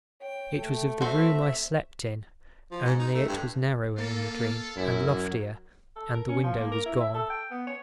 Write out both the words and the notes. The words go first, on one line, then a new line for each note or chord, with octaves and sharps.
It was of the room I slept in, only it was narrower in the dream, and loftier, and the window was gone.
C#5 G5
A3
C4 F#4 E5
F3
G#2
D#4
A3
G2
A#3 F4 A4
F#1 F#2 E4
F#3
A4
A#4
C#4
F3
A#3
A#4
E4
E5
A4
G5
B3
C#5